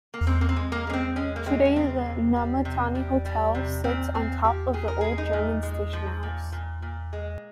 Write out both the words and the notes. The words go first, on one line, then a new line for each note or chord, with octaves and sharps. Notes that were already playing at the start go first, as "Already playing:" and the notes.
Today the Namatanai Hotel sits on top of the old German Station house.
A#3
G#3 C4
A#3
C4
G#3
A#3
G#3 C#4
C4
G#3 C#4
A#3
G#3 C4
C#4
C#3 C4
C3
G3
C3
G3
G3
C3
A#2 C4
A#2 C4
F3 G4
A#2 G#4
A#4
G#3 G#4
D#4
A#2
G#3
F3
A#2
A#2
A#2
G#3